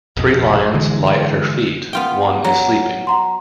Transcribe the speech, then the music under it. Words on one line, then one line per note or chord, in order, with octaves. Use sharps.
Three lions lie at her feet; one is sleeping.
A#1 F2 B2
D3 E3 G#3
B3 F4 G5
F#3 A#5
F#5 A#5 C6